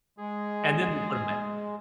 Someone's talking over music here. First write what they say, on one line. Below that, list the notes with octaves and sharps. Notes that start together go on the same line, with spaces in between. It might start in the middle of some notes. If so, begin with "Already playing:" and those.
and then they put 'em back.
G#3 G#4